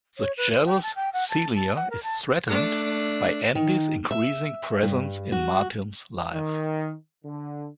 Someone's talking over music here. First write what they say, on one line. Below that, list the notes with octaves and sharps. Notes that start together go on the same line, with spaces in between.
The jealous Celia is threatened by Andy's increasing presence in Martin's life.
C#5
B4
C5
G5
A5
G5
F#5
A5
A5
F#5
A#4
A5
A3 D4
D#3
E5
G2
F#4
D#3
D3